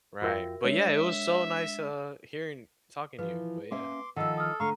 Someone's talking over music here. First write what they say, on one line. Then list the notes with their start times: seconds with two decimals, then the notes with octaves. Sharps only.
Right. But, yeah, it was so nice, uh, hearing talking to you, but, yeah.
0.22 F2 F4 F#4 A#4 E5 G5
0.64 G#3 D4 C#5 E5
3.19 E3 F3 B4
3.71 A#3 C#4 E5 C6 D6
4.16 D#3 F3 A4 F#5 E6
4.37 D#6 F6
4.60 D3 A3 F5 A#5 C#6